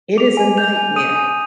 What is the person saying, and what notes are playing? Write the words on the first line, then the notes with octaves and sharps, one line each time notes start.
It is a nightmare.
D6 F7
G#5
G6 F7
G#5
D#6 D#7
G#5